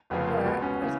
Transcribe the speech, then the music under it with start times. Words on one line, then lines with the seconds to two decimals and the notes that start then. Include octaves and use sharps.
Or or
0.10 F1 F2 C#3 F3 B3
0.28 A#3
0.45 C#2 B2 B3
0.62 B3 C#4
0.82 C#3 E3